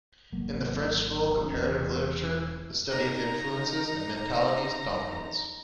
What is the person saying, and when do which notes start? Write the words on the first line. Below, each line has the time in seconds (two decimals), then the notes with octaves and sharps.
In the French School of Comparative Literature, the study of influences and mentalities dominates.
0.32 G#1 F#3 A#3
1.45 E1 E2 C#4
2.88 D#4 A#5